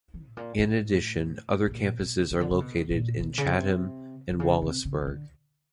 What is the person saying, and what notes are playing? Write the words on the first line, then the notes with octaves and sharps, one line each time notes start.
In addition, other campuses are located in Chatham and Wallaceburg.
E3
A2
A#2
A2
A2
A#2
B2
C#3
D3
C#3
B2
A#2
B2
C#3
C3
C3
C#3
C3
C#3
C#3
D3